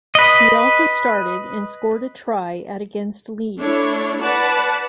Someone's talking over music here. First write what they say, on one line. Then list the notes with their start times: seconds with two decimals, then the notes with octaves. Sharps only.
He also started, and scored a try, at against Leeds.
0.15 B4 D#5
3.58 A3 D4 E4 C#5
4.22 B4 D5 F#5 A5